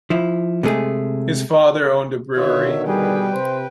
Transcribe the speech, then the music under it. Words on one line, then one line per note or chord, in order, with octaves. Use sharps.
His father owned a brewery.
F3 E4
C3 G#3 A3 G#4
B2 D3 D#3 F4 C#5 E5
G3 G#4 B4 G5
C3 C5